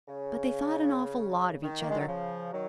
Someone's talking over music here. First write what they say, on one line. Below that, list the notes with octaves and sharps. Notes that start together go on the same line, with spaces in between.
But they thought an awful lot of each other.
C#3
D#3
A#3
G#3
F#3
C#3 F3
D#3 F#3